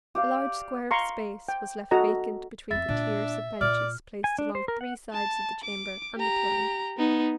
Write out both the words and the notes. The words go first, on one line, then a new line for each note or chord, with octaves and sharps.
A large square space was left vacant between the tiers of benches placed along three sides of the chamber and the throne.
G4 D5 F5
F5 A#5 C6 C#6
G5
F#4 A4 D#5 A#5
F2 C4 E5 A6
A#2 D4
A#2 D5 F6
G#5
D4
C5
A#4
F#5
A5
D6
G4 A#5
B3 D#4